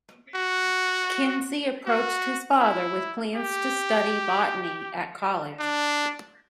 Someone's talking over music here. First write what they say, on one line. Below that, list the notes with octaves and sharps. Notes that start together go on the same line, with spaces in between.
Kinsey approached his father with plans to study botany at college.
F#4
F#4
E4
G4
D4